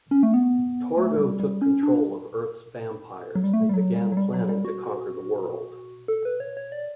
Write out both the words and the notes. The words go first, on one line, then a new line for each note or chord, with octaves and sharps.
Torgo took control of Earth's vampires, and began planning to conquer the world.
C#4
A3
B3
A3
G3
G3
C#4
D4
F#3
G3
A3
G3
F#3
G3
F#3
G3
F#3
G3
F#4
A4
B4
C#5
C#5
D5